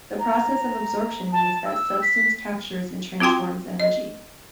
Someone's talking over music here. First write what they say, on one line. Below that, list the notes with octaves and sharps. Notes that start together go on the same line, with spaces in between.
The process of absorption means that a substance captures and transforms energy.
A#5
A5
E6
B6
C4 F4 F#4 G5 C6
D#5